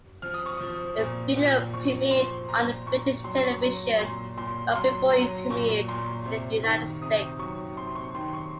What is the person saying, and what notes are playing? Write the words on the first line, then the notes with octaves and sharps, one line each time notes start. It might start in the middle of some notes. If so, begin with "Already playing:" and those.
The video premiered on British television long before it premiered in the United States.
F3 F6
D#6
C#6
F3 D#6
A#2
A#2
F3 C#6
F3 C6
A#2 A#5
A#2 C#6
F#3 C6
C#6
C6
F#3 A#5
A#2 C6
A#2 C6
F#3 C6
F#3 A#5
A#2 C#6
A#2 C6
C3
D#3 C#6
C3 D#6
F#3 C#6
C3 C6
C#6
D#3 C6
C#6